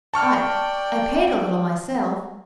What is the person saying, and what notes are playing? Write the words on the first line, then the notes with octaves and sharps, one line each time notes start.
I--I paint a little myself.'
D5 G5 A5 C#6 F6